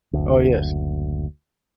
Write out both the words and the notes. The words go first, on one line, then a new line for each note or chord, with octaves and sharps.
Oh, yes.
F#1 D2